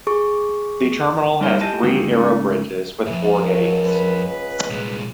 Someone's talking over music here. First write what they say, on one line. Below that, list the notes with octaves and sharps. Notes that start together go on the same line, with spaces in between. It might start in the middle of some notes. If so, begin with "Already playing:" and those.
The terminal has three aerobridges with four gates.
G#4 C#6
G3 D#4 A#4 C5 C#5 D#5
E4 G4 D#5 G#5 A5
G#2 D3 D#3 A#3 F#4 G4
G#2 C#3 A3
F2 G#2 E3 B4
C#2 F3 F#3 F#4 A#4
B4
C2 A#2 G#3